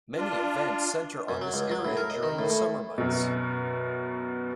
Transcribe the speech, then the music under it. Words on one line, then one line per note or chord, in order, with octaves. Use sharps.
Many events center on this area during the summer months.
D4 F4
F#2
F#3
C#2
F#3
A2
A#4
D#5
D#3
A2
A2
F#2 B2